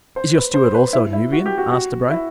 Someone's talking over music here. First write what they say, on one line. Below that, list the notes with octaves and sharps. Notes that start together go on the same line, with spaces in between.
"Is your steward also a Nubian?" asked Debray.
C5
B4
C5
B4
E4
E4
F#4
G4
F#4
F#4
E4